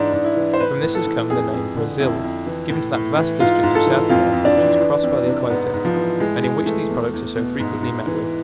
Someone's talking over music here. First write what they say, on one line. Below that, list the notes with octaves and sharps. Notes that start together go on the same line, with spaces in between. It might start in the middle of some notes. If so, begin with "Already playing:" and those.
From this has come the name "Brazil," given to that vast district of South America which is crossed by the equator, and in which these products are so frequently met with.
Already playing: G#2 E3 D4
G#2
E4
E3
C5
A2 B4
A2
A4
E3
F2 G#4
F2
D3
F2 E4
F2
E3
A2
A2
E3
G#2 F4
G#2
A4
E3
F2 F4
F2
D4
E3
E3
F2
C3
G#2 B3
G#2
F3
E3
A2 G#3
A2 G#3
E3 A3
E2
E2
B2
G#2
G#2
E3